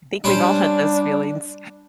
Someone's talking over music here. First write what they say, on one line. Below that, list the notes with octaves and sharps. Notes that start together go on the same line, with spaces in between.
I think we've all had those feelings.
G3 C#4 D4 C5